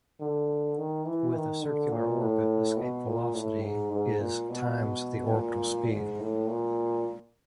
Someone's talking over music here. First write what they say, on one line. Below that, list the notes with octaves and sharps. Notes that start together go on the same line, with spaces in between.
With a circular orbit, escape velocity is times the orbital speed.
D3
D#3
E3
D#3
D3
A#2
A2
B2
A#2
A2
G#2
G#2
A#2
B2
A#2
G#2
A2
A#2